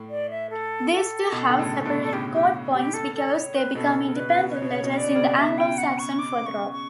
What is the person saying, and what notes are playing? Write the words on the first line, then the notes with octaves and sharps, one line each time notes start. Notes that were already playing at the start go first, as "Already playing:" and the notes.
These two have separate codepoints because they become independent letters in the Anglo-Saxon futhorc.
Already playing: A2
D5
E5
A4
A4
B2
D3
A2 C#3
B2 D3
A4
A2 C#3 G4
G4
G4
A4
A4
C#5
B4
B2 A4
C#3
B2
C#3
B2 B4
C#3
B2
C#3 C#5
B2
C#3
B2
C#3 D5
B2
C#3
B2
B2 E5
G5
F#5
C#6
D6
C#6
C#6